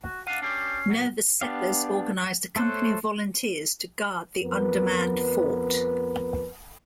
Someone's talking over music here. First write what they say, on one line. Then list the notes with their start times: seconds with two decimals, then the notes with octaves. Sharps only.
Nervous settlers organized a company of volunteers to guard the undermanned fort.
0.04 F#4
0.27 D4 F5 F#5 D#7
0.42 C#4 D4 G4 C7
0.90 A#2 F#3
1.41 B3 D4 G4 F5
2.56 A3 A4 C5 C#5 F#6
4.43 F2 B3 A#4 B4